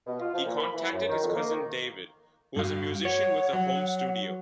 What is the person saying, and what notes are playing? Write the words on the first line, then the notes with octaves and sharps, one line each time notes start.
He contacted his cousin David, who was a musician with a home studio.
B2
F4
F3
A#2
B5
E3
F#2
D#3
F2
A#3
D#3
G2 F#4 F5
C#5 F#5
F#3